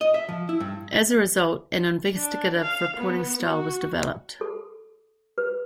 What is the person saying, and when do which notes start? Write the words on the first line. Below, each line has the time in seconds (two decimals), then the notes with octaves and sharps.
As a result, an investigative reporting style was developed.
0.01 D#5
0.14 E5
0.29 F3
0.49 E4
0.60 G2
2.16 D4
2.62 F5
2.97 B3
3.43 F#4
4.41 A4
5.38 B4